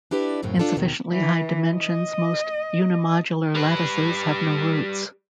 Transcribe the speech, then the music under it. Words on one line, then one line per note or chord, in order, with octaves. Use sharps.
In sufficiently high dimensions most unimodular lattices have no roots.
D4 E4 G4 B4 D5
F#2 A2 C#3 C4
D4 F4 A4
D#2 B2 D#3
E3
D#5
G3 B4